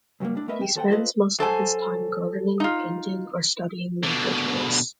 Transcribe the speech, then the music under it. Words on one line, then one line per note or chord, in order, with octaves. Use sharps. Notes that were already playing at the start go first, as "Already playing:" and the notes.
He spends most of his time gardening, painting, or studying languages.
C#2 G2 F#3 G3 A#3
A2 D4
A3 B3 A#4 B4 D#5 E5
G5
D#2 A4 C5 F#5 G5
F4 A4 B4 C5 D#5 F5
F#3 A4 C5 G#5
D#4 F4
B2 D3